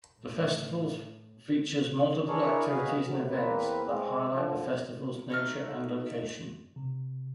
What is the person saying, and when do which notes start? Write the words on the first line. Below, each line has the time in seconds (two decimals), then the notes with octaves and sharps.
The festival feature multiple activities and events that highlight the festival's nature and location.
0.20 A2
2.27 D4 E4 G#4 A#4 C#5
2.69 F#4 G#4 B4 D#5 F5
3.01 A2 C3 F#3
3.27 E2 A#3 C4 B4
3.82 G#3 C4
4.29 D3 F3
5.30 A3 D#4 F6
6.76 C3